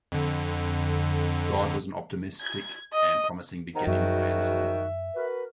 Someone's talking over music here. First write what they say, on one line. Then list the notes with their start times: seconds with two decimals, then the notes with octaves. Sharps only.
God was an optimistic and promising beginning for Andersen.
0.12 F2 D3
2.40 G#6
2.93 D#5
3.75 C3 D#3 C5 F#5 A#5
3.87 F#2 C#3 F3 F#4 E5
5.15 F#4 A#4 B4